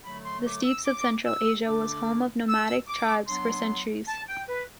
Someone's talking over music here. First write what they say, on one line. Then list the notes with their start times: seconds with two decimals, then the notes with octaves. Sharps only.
The Steppes of Central Asia was home of nomadic tribes for centuries.
0.04 D3 F#3 A3 B5
0.25 C6
0.45 D6
0.65 E6
0.85 D6
1.25 E6
1.66 D3 A3 D4 D6
2.47 E6
2.88 D6
3.27 F#3 B3 D4 C6
4.08 A5
4.28 G5
4.49 B4